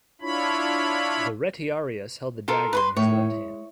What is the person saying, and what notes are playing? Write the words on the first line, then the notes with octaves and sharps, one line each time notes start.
The "retiarius" held the dagger in his left hand.
D4 E4 F4 C#5 B5
F4 A4 A#4
B4 B5 C6
A2 D#3 C#5
G#3